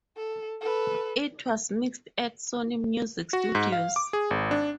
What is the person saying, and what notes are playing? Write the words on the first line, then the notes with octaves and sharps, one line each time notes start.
It was mixed at Sony Music Studios.
A4
A4 B4
F#4
G#2
F5
D6
G#4
G#1
D4